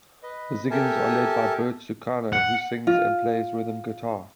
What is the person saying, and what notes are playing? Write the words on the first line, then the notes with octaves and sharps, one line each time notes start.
The Ziggens are led by Bert Susanka who sings and plays rhythm guitar.
B4 D#5
G4 A4 A#4 E5 G#5 A5
F#5
F4